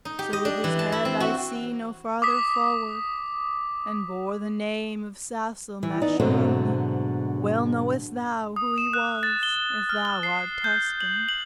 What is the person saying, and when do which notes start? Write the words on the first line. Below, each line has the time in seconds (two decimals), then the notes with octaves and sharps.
So with his head I see no farther forward, And bore the name of Sassol Mascheroni; Well knowest thou who he was, if thou art Tuscan.
0.05 D#4
0.19 G4
0.33 D#5
0.45 D4
0.64 E3
0.79 A5
0.92 E4
1.05 C4
1.20 F#4
2.22 D6 D#6 B6
5.83 E3
6.01 B3 D#4 D5
6.20 G#2 B2 D3 F#3 A3 C4
8.56 D#6
8.78 E7
8.93 F#6
9.23 A6
9.43 G7
9.90 F6
10.05 G7
10.23 C7
10.64 G6
11.00 F#7
11.28 F#7